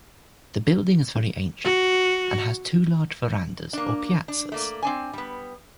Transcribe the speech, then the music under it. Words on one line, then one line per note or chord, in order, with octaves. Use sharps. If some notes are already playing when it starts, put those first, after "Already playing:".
The building is very ancient and has two large verandas or piazzas.
F#4
A#3 D4
D4
A3 A#3 D5
C4 D4 G#5
G3 B3